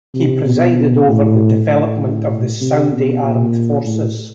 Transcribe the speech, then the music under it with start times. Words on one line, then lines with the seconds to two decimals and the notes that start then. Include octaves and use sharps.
He presided over the development of the Saudi armed forces.
0.15 C3
0.45 B2
1.07 A2
1.69 A2
2.61 C3
2.92 B2
3.23 A#2
3.84 A2